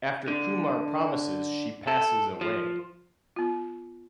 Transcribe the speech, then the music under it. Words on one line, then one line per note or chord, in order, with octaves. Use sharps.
After Kumar promises she passes away.
D3
A4
F3
B3 F4